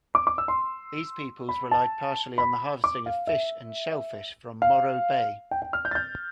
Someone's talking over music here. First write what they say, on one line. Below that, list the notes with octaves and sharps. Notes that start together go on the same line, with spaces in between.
These peoples relied partially on the harvesting of fish and shellfish from Morro Bay.
D6
D6
E6
C6
B5
A5
B5
D6
F5
E5
F5
G5
G5
F6
G6
A6
G6